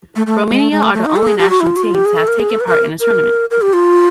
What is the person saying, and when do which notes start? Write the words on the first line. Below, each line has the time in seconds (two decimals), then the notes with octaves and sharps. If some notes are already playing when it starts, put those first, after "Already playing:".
Romania are the only national team to have taken part in the tournament.
0.16 A3
0.26 A3
0.50 G#3
0.60 A3
0.71 G#3
0.83 A3
0.94 A3
1.05 D#4
1.16 A4
1.27 G#4
1.39 G4
1.50 F#4
1.60 E4
1.67 F4
1.76 F#4
1.83 F4
1.94 G4
2.05 G#4
2.16 A4
2.28 A#4
2.39 G#4
2.50 A4
2.60 B4
2.67 A#4
3.00 A#4
3.51 A#4
3.62 G4
3.73 F4